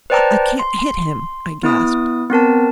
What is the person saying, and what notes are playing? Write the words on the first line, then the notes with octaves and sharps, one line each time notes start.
"I can't hit him," I gasped.
B4 C5 D5 G5 A5 A#5
C6
B3 E4 D#6
B3 C4 A#4 A5